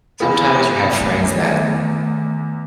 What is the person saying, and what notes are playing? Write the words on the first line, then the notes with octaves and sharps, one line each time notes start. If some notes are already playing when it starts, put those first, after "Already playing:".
sometimes you have friends that
E2 E3 B3 F4 G#4 B5
D#3 A3